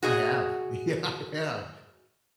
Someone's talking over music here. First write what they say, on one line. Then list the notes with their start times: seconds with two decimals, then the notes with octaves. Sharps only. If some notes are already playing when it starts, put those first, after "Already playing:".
I have. Yeah, I have,
0.03 F#4 G#4 D#5